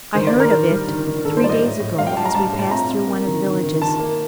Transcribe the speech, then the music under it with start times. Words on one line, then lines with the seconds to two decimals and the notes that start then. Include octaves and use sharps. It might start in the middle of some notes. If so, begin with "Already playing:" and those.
I heard of it three days ago, as we passed through one of the villages.
0.15 D#3 C5
0.27 D5
0.33 D#3
0.40 A#4
0.51 D#3
0.70 G3
0.88 D#3
1.07 D#3
1.25 D#3 A4
1.37 C5
1.43 G3 D5
1.49 D#5
1.62 A2
1.80 A2
1.98 G3 F5
2.07 G5
2.17 G3 A5
2.25 A#5
2.35 G3 A5
2.53 A2
2.59 A5
2.71 C4 A#5
2.89 C4
3.08 A#3
3.27 D#3
3.45 D#3
3.64 D#3
3.82 D#3 A5
3.99 A#3